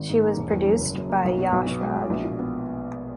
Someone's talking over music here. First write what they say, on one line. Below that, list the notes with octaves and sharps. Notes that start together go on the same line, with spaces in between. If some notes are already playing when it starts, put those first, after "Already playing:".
She was produced by Yash Raj.
Already playing: G#1
G#2
A#3
E1
E2
F#3
F#1
F#2
A#3
B1
B2
B1
B2
G#3
B2
A#1
A#2
B3